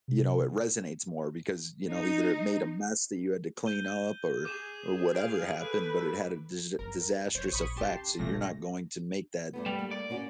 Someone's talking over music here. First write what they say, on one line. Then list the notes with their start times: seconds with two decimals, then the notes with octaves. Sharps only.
you know, it resonates more because, you know, either it made a mess that you had to clean up or or whatever happened, but it had a dis disastrous effect, so you're not going to make that,
0.08 C3
1.89 D#4
3.66 G6 D#7 G7
4.45 G#4 D6 D#7 E7
5.16 F5 D7
5.61 A4 B4 F#6
6.79 E2 G2 A#4
7.35 F#1 F3 C5 C#5
7.52 A#1 B5 C#6 D#6
7.76 D3 C#4 G4 A5 C6
8.19 E1 C#2 G2 A#2 A3 A#6
9.53 G2 A3 B3
9.66 G3
9.79 A#3
9.91 D5
10.10 A#3 C#4 F#4